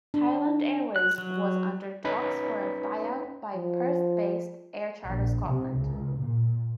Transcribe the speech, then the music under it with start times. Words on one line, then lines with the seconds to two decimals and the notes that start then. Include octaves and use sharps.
Highland Airways was under talks for a buyout by Perth-based, Air Charter Scotland.
0.14 D4
0.96 F#6
1.18 F#3
2.04 C#4 D#4 B4 B5 B6
3.55 F3
5.04 A#1
5.47 C3
5.80 C#2
6.16 A#2